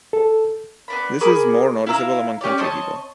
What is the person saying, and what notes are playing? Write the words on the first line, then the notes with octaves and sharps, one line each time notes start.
This is more noticeable among country people.
A4
B3 D4 B5
G#4 A#4 B5 D6
E4 F5 A#5 E6
C#4 G4 C#5 D5
C4 C#5 D#5 A5